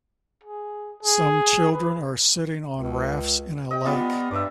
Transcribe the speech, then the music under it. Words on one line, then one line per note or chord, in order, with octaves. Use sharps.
Some children are sitting on rafts in a lake.
G#4
G#4
B4
C#2
D#5 G5
G3 B3 F4
A#5
G2 D5 E5